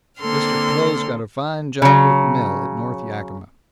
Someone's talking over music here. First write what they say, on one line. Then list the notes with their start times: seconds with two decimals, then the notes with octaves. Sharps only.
Mr. Kloh's got a fine job with the mill, at North Yakima.
0.20 D3 A#3 C4 A4 C6 F6
1.82 C#3 F#3